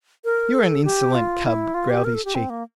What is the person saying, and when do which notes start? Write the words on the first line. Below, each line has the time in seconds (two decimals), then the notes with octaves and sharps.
"You are an insolent cub," growled his Chief.
0.25 A#4
0.54 A4
0.84 G4
1.15 F4
1.45 E4
1.74 F4
1.90 G4
2.04 A#4
2.14 A4
2.25 G4
2.35 C4
2.50 A#3